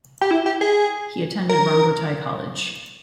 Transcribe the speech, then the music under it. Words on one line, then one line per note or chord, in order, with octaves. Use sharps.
He attended Rongotai College.
G4
E4
G4
G#4
A#4